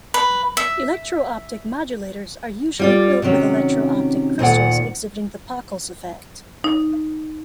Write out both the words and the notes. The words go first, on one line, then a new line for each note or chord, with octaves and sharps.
Electro-optic modulators are usually built with electro-optic crystals exhibiting the Pockels effect.
B4
E5
G3 F4 D5
C3 D#3 F#3 C#4
D2 A#2 D#3 F#5
D#4